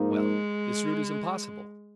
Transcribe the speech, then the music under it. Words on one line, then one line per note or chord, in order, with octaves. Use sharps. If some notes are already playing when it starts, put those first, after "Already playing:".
"Well, this route is impossible."
Already playing: G#2 F3 A#3 D#4
G#3